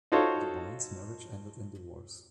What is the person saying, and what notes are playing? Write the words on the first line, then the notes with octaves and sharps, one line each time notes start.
DeWine's marriage ended in divorce.
D#4 F4 F#4 A4 C5 C#5